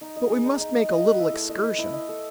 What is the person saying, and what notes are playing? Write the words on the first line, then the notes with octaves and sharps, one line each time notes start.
But we must make a little excursion.
D#4
D#5
G#4
D#4
D#4
D#5
D#5
B4
E4
A3
D#5
B4
E4
D#5
A4